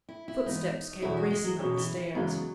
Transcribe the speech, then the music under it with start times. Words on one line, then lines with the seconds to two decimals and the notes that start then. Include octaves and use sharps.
Footsteps came racing up the stairs.
0.09 E4
0.28 E4
0.46 G#2 E3 B3 D#4
1.02 E2 B2 A3 C#4 E4
1.17 F#4
1.31 G#3
1.44 F#3
1.59 B2 E3 F#3 C#4 G#4
1.77 E3
1.96 E3
2.15 F#2 C#3 E3 F#3 G#3 B3